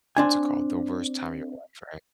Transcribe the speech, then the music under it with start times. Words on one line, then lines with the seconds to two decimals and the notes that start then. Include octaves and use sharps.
what's it called? The worst time of your life right?
0.17 C4 D4 G#5